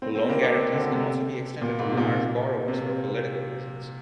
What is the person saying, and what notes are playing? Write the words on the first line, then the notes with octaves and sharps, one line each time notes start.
Loan guarantees can also be extended to large borrowers for political reasons.
C4
C4
A#3
D4
C4
D3
C3
A#2
G#2
C3
A#2
C3